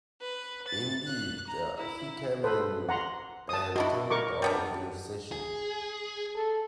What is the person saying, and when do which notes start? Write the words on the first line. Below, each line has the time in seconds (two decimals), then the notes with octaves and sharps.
Indeed, he came in and turned our conversation.
0.21 B4
0.67 A6
1.07 F#6
1.47 A#5
1.78 E4
2.44 A4 B4 C5
2.89 F#5 A#5 C6
3.49 A5 D#6
3.76 G#3 D4 E4 F#4
4.10 A#4 C#6 D6
4.42 G3 B3 D4
5.32 G#4
6.36 A4